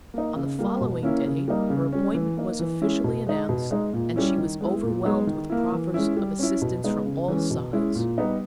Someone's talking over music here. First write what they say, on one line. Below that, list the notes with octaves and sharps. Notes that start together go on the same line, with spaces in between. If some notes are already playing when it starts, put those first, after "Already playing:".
On the following day her appointment was officially announced, and she was overwhelmed with proffers of assistance from all sides.
A#3 D#4
C#3
G3 A#3
B2
A#3 C#4 E4
C#3
G3 A#3 D#4
C#3
G3 C#4
E3
A#3 D#4
E3
G#3 C#4 E4
B2
G#3 D#4
B2
G#3 D#4
A#2
G3 C#4 E4
D#3
G#3 B3 E4
A#2
G#3 B3 D#4
D#3
A#3 E4
E3
G#3 C#4 E4
G3
C#4 E4
B2
G#3 B3 D#4
C#3
E3 G#3 C#4
B2
G#3 C#4 E4
A#2
G3 B3 D#4